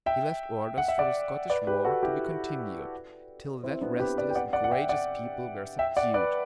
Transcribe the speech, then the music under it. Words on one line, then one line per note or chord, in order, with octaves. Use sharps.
He left orders for the Scottish war to be continued till that restless and courageous people were subdued.
E5 G5
F#5
E5
D5 F#5
B4 D5
G4 B4
F#4 A4
E4 G4
C4 E4
B3 D4
G4 B4
B4 D5
G5
D5 F#5
D5 F#5
F#5
E5 G5
D5 F#5
E5 G5
D5 F#5
B4 D5